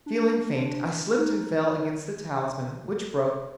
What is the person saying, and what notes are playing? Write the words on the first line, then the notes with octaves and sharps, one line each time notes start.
Feeling faint, I slipped and fell against the talisman, which broke.
D4
D#4